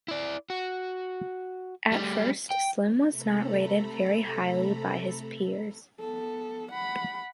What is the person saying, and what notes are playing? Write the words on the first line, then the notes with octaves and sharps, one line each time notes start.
At first Slim was not rated very highly by his peers.
E4 D5
F#4
G3 A3
G5
C3 A3 A4 A#5 B5
B3 A4
F#5 B5